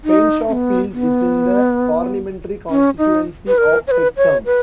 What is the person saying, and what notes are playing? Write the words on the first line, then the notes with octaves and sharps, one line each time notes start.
Painshawfield is in the parliamentary constituency of Hexham.
D#4
C#4
B3
B3
C#4
D#4
B4
A#4
C#5
B4
C#5
B4